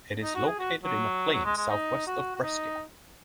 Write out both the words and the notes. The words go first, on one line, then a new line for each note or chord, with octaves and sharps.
It is located in a plain southwest of Brescia.
D#4
F#4
G#4
F#4
F#3
F#3
G#3
G#3
D#4
F#4
F#4
D#4